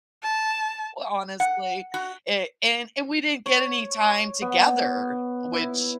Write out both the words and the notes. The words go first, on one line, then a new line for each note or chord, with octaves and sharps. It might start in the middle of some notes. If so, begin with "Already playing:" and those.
honestly, it and and we didn't get any time together, which,
A5
F#5
F#4
C#5
B3
E4